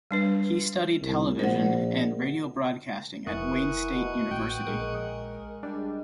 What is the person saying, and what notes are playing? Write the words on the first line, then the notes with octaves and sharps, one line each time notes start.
He studied television and radio broadcasting at Wayne State University.
G3 D4 B4
C2
A#1 C5 F#5
F1 E3 A#4 F#5 C#6 D#6
B2
A1 G5
A#1 G#3 A#4
G3 D4